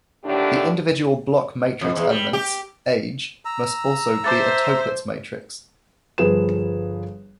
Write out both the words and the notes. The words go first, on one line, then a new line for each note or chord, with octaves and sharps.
The individual block matrix elements, Aij, must also be a Toeplitz matrix.
D#2 A2 D3 D4 G4
F2
E2
G3
G4
A#5 E6
C5 E5 A5 D6 A6
G1 F3 G#4 B4 E7